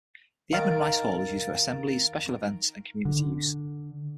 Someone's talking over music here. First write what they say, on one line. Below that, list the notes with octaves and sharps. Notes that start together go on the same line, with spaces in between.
The Edmund Rice Hall is used for assemblies, special events and community use.
D#3 A#4 F5 A6 D7
D3